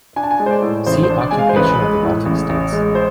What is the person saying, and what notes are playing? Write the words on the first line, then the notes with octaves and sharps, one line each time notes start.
See Occupation of the Baltic states.
D4 G#5
A5
G#5
G#3
C5
D5
A2
A1 C5
C5
D4
D5
G#3 G#5
F5
C5
A1 B4
G#3
A2
A1
A1
G#3
C5